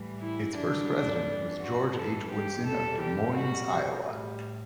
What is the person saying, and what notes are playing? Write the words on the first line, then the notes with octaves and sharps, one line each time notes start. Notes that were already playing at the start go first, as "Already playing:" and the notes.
Its first president was George H. Woodson of Des Moines, Iowa.
Already playing: A2 E3 G3
E4
F#2 D3 G3 D4
G2 E3 G3
F#4
G2 E3 G3 A4
G4
E2 C3 E3 G3 A4
G4
B2 G3 F#4
A2 G3